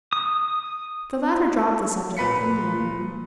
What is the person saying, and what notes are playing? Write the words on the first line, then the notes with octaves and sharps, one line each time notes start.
The latter dropped the subject indolently.
D#6
A#2 B4 B6 C#7